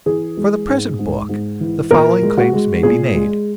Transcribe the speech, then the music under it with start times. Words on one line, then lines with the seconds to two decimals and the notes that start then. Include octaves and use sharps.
For the present book the following claims may be made.
0.06 E3 G#4
0.37 G#3
0.68 G#2
0.99 G#2
1.29 G#2
1.60 E3
1.91 A#2 A#4
2.22 G#3
2.38 F#4
2.53 G#3
2.83 A#2 G#4
3.14 G#3